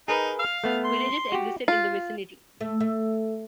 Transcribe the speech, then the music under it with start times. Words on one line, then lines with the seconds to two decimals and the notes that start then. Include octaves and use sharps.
Villages existed in the vicinity.
0.08 D#4 G#4 A#4 B4
0.39 F5 F6
0.64 A3 B3
0.84 C6
1.32 F#4 G4
1.68 F4
2.61 A3
2.80 A3